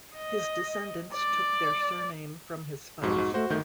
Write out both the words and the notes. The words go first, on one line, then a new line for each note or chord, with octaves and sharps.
His descendents took their surname from his fief.
D#5
D5
B1 F2 G#2 F#4
G#2
A3 F#4 C5
G1 D#3 A3 G6